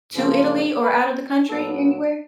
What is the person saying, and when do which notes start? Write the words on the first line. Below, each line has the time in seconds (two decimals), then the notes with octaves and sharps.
to Italy or outta the country, anywhere?
0.13 F#2 C#3 F3 A#3
0.81 B4
1.50 A#2 F#3 B3 A4